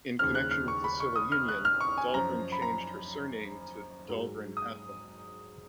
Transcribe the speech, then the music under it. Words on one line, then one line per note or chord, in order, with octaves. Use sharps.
In connection with the civil union, Dahlgren changed her surname to Dahlgren-Attling.
D#2 C#3 F3 F6
F#6
F6
C#6
B5
C#6
D#6
F6
F#6
F6
C#6
G#5
F#2 F3 A#5
B5
A#5
G#2 F#3
D#6